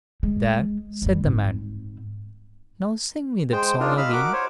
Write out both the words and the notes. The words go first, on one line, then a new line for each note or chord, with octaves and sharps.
"There," said the man, "now sing me that song again."
G#3
F#1 G3
G#2 C4
G#3 C5 G5
D4 D#4 F4 A#4
D#5 F5 B5 E6 F6
F#4 A#4 D6
C5 C#5